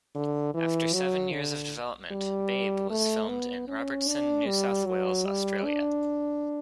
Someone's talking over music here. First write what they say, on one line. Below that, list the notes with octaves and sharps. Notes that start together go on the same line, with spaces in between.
After seven years of development, "Babe" was filmed in Robertson, New South Wales, Australia.
D3
E3
F#3
D3
G3
A3
B3
C#4
D4
G3
F#3
G3
D4